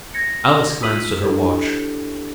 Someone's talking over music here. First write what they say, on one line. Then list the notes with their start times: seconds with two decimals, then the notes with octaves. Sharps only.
Alice glanced at her watch.
0.14 G#6 A#6 C#7
0.81 F4 D#6 E6 B6 D#7 F#7
1.23 D4 E4 G4 A4 B4 C#5